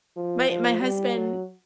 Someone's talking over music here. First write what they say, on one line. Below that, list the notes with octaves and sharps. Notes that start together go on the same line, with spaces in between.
my my husband
F3
F3
G3
F#3